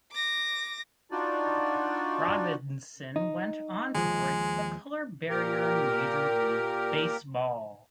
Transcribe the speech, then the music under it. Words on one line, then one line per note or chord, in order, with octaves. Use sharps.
Robinson went on to break the color barrier in Major League Baseball.
D6 A#6
D4 D#4 F4 F#4 D5
D#4
D#2 F3 G#3
A#2 G4 A#4